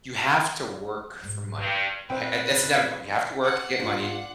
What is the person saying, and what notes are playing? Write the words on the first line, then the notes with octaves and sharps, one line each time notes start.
you have to work for money. Y ha uh, it's inevitable. You have to work to get money.
G#2 B2
G2 C#3
A#2 C4 B4 C5 E5 G5
F#5
G#2 B3 D4 F4